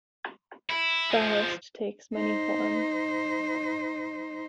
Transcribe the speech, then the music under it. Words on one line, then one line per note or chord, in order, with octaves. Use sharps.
Ballast takes many forms.
E4
F3 G#3
D#4 C5